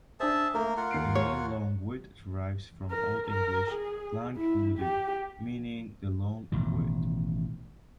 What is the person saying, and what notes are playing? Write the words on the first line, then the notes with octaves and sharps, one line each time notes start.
The name Longwood derives from Old English "Lang wudu", meaning "The Long Wood".
D4 G#4 C5 E5 A5
A3 A#3 A#4
F4 A#4 F#5
D#2 C7 D7
C#5
A#4
A#4
G#4
E4
G4
A1 B2 D#3